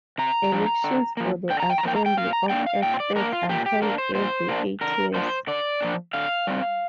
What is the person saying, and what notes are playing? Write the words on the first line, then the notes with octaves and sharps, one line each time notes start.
Elections for the Assembly of Experts are held every eight years.
C3 A#5
F3 D4
D3
F3 A#3
D3 G5
A#5
G5
A#5
F3 A#3 G5
A#5
G5
A#2 F5
A#5
A#3 D4 G5
F5
A#2 G5
C5
D5
A#3 D4 A#4
F4
A#2 G4
G4
A#3 D4 A#4
C5
A#2 C5
A#3 D4
D3 A#4
F3 A#3 D4 C5
D3 D5
F3 A#3 D4
D3 F5
G3 C4